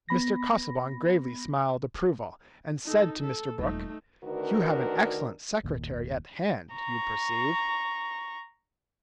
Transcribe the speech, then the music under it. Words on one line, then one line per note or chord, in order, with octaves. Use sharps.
Mr. Casaubon gravely smiled approval, and said to Mr. Brooke, "You have an excellent secretary at hand, you perceive."
B3 B5 A#6
D#4 A4
A4
D#1 A3 D#4
D2 D#3 D4 F#4 A#4 B4
F#1 D#2 A#2
A#5 C#6